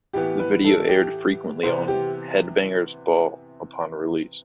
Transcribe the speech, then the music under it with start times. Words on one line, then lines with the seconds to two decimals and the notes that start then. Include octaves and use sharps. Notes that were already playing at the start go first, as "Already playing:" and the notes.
The video aired frequently on "Headbangers Ball" upon release.
0.13 A2 E3 B3 G4
0.39 B4
0.64 A4
0.89 G4
1.63 C3 E3 B3 C5
1.88 G4